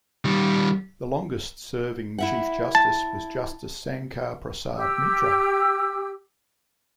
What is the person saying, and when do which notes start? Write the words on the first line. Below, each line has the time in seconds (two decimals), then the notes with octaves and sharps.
The longest serving Chief Justice was Justice Sankar Prasad Mitra.
0.25 D#3 G3
2.18 E4 E5 F#5
2.75 A5
4.76 G4 E6